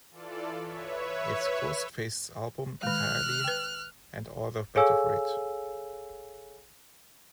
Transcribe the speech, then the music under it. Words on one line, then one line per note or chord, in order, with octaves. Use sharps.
It's Ghostface's album entirely and all the better for it.
E3 F4 A4 D5
B4 C#5 E5
D#3 G#3 F6 F#6
B4 G5
G#4 A4 C#5 F5 G#5 E6